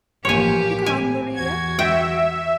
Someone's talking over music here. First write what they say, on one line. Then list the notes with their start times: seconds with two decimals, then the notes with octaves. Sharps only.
Begone, Maria!
0.25 A1 F3 A#3 G4 C#5 G#5
0.86 A2 G#5
1.35 E2 F#4 G#6
1.79 E5 G5